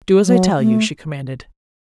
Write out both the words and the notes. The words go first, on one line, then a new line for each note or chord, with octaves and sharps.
"Do as I tell you," she commanded.
F#3
A3